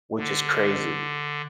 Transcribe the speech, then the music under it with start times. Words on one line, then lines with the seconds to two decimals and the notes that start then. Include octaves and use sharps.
which is crazy.
0.18 D3